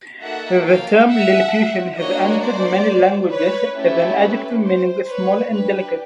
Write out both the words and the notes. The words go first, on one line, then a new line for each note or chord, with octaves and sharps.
The term "Lilliputian" has entered many languages as an adjective meaning "small and delicate".
A#3 D#4 F#4 A4 E5 F#5
F5 G5
E5 F#5
A#3 D4 F#4 C#5 D#5
C5 D5
B4 C#5
A3 C#4 E4 G4
B4
C5
B4 C#5
D4 G4 B4